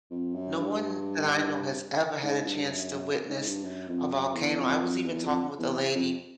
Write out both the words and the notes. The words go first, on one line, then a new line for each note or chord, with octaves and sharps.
No one that I know has ever had a chance to witness a volcano. I was even talking with a lady
F2
F#2
G2
G#2
G2
F#2
F#2
G#2
G2
F#2
F2
F#2
E2
F2
F2
E2
F2
E2
F2